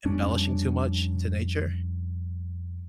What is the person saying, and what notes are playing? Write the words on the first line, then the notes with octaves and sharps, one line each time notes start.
embellishing too much into nature?
F2 G3 C#4 D4